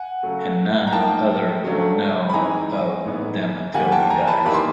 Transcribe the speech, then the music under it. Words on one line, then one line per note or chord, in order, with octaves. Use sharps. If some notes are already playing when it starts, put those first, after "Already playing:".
And none other will know of them until he dies.
Already playing: F#5 G#5
C#3 F#3 A3
A#5
F3 A#3 D#4 G5 A5
C#3 F#3 A3 D4
B5
E3 G#3 C4 D#4 G#5 A#5
A2 E3 G#3 B3 D#4
D#3 G3 A#3 F#5 G#5
G5 A5
G#5 A#5
A5 B5
E3 G3 A#3 D#4 B5
C6